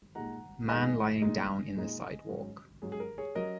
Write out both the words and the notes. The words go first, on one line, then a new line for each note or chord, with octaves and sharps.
Man lying down in the sidewalk.
A#2 G#3 D#4 F#5 A#5
A#2 G#3 D#4 D#5 G#5
A#2 G#3 D#4
A#2 G#3 D#4
G#2 F#3 C#4
G#2 F#3 C#4 G#4
G#4
A#4
G#4 C#5
F#3 C#4 A#4 D#5